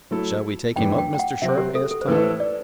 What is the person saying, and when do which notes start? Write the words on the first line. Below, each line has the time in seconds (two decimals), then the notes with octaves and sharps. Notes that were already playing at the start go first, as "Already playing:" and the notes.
"Shall we take him up, Mr. Sharp?" asked Tom.
0.11 F#3 A3 E4 A4
0.76 F#2 E3 A3 D4 G5
0.98 G5
1.14 G5
1.19 F#5
1.42 C3 F#3 C4 F#4 E5
1.58 G4
1.75 A4
1.91 A4
2.01 C5
2.07 A2 E3 A3 E4 A4 B4
2.23 C5
2.40 D5